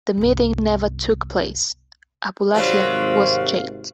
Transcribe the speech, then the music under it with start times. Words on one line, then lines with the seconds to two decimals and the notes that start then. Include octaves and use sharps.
The meeting never took place; Abulafia was jailed.
0.17 G1 C2
2.54 G#1 C3 F#3 G3 C4 C5 F5